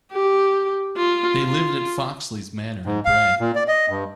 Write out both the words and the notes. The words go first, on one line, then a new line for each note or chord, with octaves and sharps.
They lived at Foxley's Manor in Bray.
G4
F4
F4
G#2
F5
A#2
D5
D#5
G2